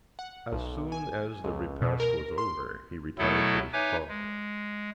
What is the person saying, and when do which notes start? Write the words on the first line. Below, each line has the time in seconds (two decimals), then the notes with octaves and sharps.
As soon as the repast was over, he retired to his closet.
0.19 F#5
0.52 B1
0.92 G#5
1.44 C#2
1.82 B2
2.00 A#4
2.38 C6
3.18 B2 F#3 A3 B3 E4 A4
3.73 D#4 B4 C#5 E5 G#5 D6
4.09 G#3